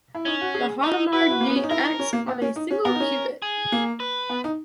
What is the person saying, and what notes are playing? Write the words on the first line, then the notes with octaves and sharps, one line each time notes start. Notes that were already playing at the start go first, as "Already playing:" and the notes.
The Hadamard gate acts on a single qubit.
E4
C#4 D#4
F#4
G#4
D#4
F#4 B4
E4
F#4
A#3
B3
C#4
D#4
E4 A#4
D#4
C#4
A#3
B3
C#4
D#4
C#4
B3 A#4
D#4
C#4
G#4
A#3
B4
B3
D#4